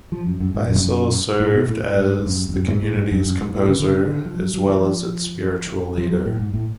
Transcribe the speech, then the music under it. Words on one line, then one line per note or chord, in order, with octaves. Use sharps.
Beissel served as the community's composer as well as its spiritual leader.
F3
F#2
F#2
G#2
F#2
A2
B2
A2
A2
G#2
G#2
F#2
F2
F#2
G#2
A2
G#2
F#2
F#2
G#2
A2
C#3
D3
C#3
D3
F3
F#3
F#3
F3
F3
F#3
A2
G#2
A2